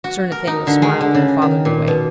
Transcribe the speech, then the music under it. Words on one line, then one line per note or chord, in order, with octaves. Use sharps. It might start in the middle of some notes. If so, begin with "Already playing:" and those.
Sir Nathaniel smiled in a fatherly way.
F#4
A#4
D#4
D3
G#3
D3
C#3
D#3
A#2
B2